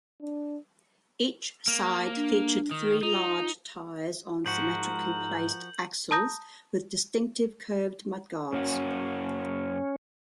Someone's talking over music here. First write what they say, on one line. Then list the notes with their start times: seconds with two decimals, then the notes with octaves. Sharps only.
Each side featured three large tires on symmetrically placed axles, with distinctive curved mudguards.
0.21 D4
1.68 A#3
2.16 D4
2.71 D#3
3.03 D#4 F4
4.46 G#2 F3 F#4 A#4 G6 F#7
6.11 A5 A#5 D#6 G6 A#6
8.53 F#2 A#3 C#4 F#4